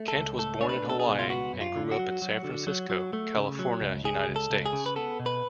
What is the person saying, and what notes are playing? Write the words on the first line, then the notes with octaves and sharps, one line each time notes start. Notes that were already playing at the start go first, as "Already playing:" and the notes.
Kent was born in Hawaii and grew up in San Francisco, California, United States.
Already playing: A3
A4
C#2
A3 A4
D4 C#5
B4
B2 A4
G#4
C#2
F4
B3 F#4
F#2
F4
D3
F#4
F#3
F#3
D3
F#3
F#3
A3
C#3
F#3
C#2
C#2 G#4
C#2
A4
C#2
G#4
C#3
B4
B3 A4
B2
B4